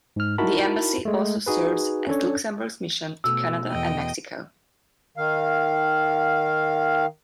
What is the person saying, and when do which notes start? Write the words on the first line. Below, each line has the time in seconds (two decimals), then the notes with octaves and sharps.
The embassy also serves as Luxembourg's mission to Canada and Mexico.
0.16 G#2 F6
0.38 D#4 E4 F#4 A#4 A5 B5
1.05 G#3 A3
1.47 D#4 F#4 G#4 B4
2.07 C#4 D4 A4 C#5
3.24 B2 A3 E6
3.70 E2 D#5 G5
5.17 D#3 F5